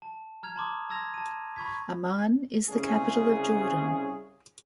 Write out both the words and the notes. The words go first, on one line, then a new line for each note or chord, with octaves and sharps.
Amman is the capital of Jordan.
A5
A#5 F6 G#6 F7
A5 C6 D6 D#6
A5 C6 E6 G#6 A#6 F7
A5 D#7
B5 C#6 G#6 B6
C2 C#3 C#4 G#4